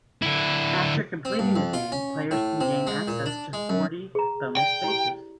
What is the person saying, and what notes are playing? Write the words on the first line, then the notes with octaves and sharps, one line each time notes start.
After completing the game, players can gain access to forty bonus stages.
D3 E4
C4
G2
F2
F4
C#4
A2
C3
G#3
A#2
D4
G#3
F#2
G#4 A#5
D5 G5
E4 G4